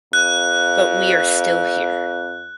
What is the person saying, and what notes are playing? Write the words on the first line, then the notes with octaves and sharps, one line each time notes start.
But we are still here.
F2 F#6